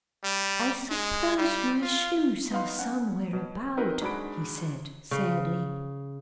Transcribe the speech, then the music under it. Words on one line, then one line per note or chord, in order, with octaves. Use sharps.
"I suppose my shoes are somewhere about," he said, sadly.
G3
G#3
G3
F4
B3 D#4 F5 C6
C#4 F#5
B2
F#3 C4 D#4 A#4 B4 D#5
G#2 D4 F#4 G#4 B5 D7
C#3